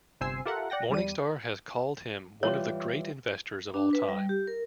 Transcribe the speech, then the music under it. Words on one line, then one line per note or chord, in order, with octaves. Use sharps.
Morningstar has called him "one of the great investors of all time".
G1 C3 C5 G#5 E6 C7
F4 G4 A4 A#4 E5 F#5
D5 F#5 G5 A#6
E2 G3 D5 D#7
E3 G3 F4 C#5
D4
B4
G3
G4
A#4